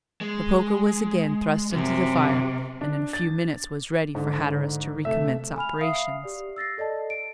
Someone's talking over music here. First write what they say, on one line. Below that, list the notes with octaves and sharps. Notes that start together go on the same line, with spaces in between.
The poker was again thrust into the fire, and in a few minutes was ready for Hatteras to recommence operations.
G#3
F#2 C3
D4
A6
G#2 D3
C3 A3 E5
G#5 B5 F6 F7
E5 F5 D#6 C7
G4 D5
E6 A6 A#6 C7
A4 D5 D#5 A5
D7